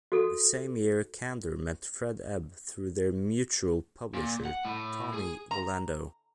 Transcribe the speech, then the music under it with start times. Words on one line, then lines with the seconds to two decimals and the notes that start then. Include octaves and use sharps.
The same year, Kander met Fred Ebb through their mutual publisher, Tommy Volando.
0.12 F#4 A4
4.15 A#2
4.45 F#5
4.65 A2
5.14 G#4
5.51 A#5